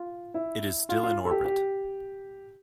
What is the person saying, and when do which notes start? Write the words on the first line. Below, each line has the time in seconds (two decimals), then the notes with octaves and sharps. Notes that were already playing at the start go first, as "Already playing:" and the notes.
It is still in orbit.
Already playing: F4
0.34 E4
0.89 F4
1.03 F4
1.25 A4
1.31 G4
1.45 G4